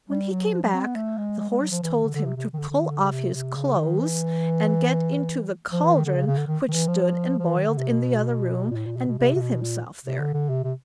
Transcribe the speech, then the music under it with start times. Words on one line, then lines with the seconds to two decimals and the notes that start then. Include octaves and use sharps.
When he came back, the Horse told him to pull off his clothes and get into the cauldron which stood and boiled in the other room, and bathe himself there.
0.10 G3
0.31 F#3
0.53 F3
0.63 F#3
0.74 C4
0.85 B3
0.96 A3
1.18 G#3
1.39 G#3
1.50 G#3
1.61 F#3
1.71 F3
1.83 E3
1.93 D#3
2.04 D3
2.15 D3
2.26 C3
2.36 C3
2.54 D#3
2.58 D3
2.69 D3
2.79 D#3
2.90 D3
3.01 C#3
3.12 C3
3.34 C3
3.55 C#3
3.78 D#3
3.99 E3
5.72 F3
5.84 E3
5.95 D#3
6.05 D3
6.16 C#3
6.26 C#3
6.37 D3
6.47 D#3
6.69 D#3
6.73 E3
6.88 F3
7.39 F3
7.45 E3
7.56 D#3
7.67 D3
7.78 C3
7.89 B2
8.71 A#2
8.75 A2
8.86 A#2
8.97 B2
9.08 B2
9.19 C3
9.35 C3
9.40 B2
9.62 A#2
10.05 C3
10.19 D3
10.34 D3
10.49 C3
10.64 C3